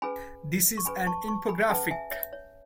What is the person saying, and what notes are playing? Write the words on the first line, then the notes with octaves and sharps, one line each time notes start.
This is an infographic.
C#4 G#4 B4 G#5 B5
C#6
C#4 G#4 B4 G#5 B5
A5 C#6
A5 C#6
G#5 B5
C#4 G#4 B4 F#5 A5
E5 G#5
C#5 E5
C#5